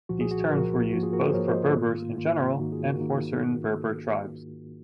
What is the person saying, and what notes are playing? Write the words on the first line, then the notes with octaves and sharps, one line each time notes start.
These terms were used both for Berbers in general and for certain Berber tribes.
C2 A#2 F3 F#4
G#4
F#4
C2 A#2 F3 F#4 A#4
G#2 F3 A#3 F#4
F4 G#4
F#4 A#4
G#4 C5
G#2 F3 A#3 A#4 C#5
C5 D#5
F4
G#2 D#3 A#3 F4
G#2 D#3 A#3 F4
G#2 D#3 A#3 D#4 F#4
F4 G#4
F#4 A#4
D#3 A#3 D#4